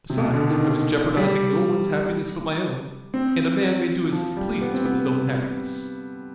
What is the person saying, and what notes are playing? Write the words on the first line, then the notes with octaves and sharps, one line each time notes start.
Besides, I was jeopardising no one's happiness but my own, and a man may do as he pleases with his own happiness.
C3
B2
D3
D#3
G3
C4
F3
G3
B3
C4
B3